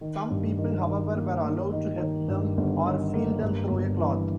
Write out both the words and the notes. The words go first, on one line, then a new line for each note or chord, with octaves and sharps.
Some people, however, were allowed to heft them or feel them through a cloth.
D#3
G2
D#3
D#3
A#3
A#3
D#3
D#3
G2
G1
D#3
A#3
G2
G1
E3